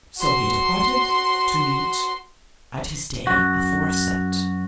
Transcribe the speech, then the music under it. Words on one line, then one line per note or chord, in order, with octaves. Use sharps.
So he departed to meet at his day aforeset.
F#4 C6
F#2 F#4